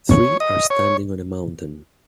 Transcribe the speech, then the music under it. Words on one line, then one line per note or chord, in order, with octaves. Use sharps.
Three are standing on a mountain.
C#5
D#5
C#5